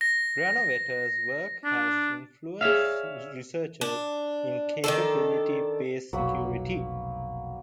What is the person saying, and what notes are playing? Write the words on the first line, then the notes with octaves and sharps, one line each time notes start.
Granovetter's work has influenced researchers in capability-based security.
A#6
D4
G#4 C#5 D5 E5 F5
D4
D#3 D4 A4
F1 B1 F#3 A#3 B5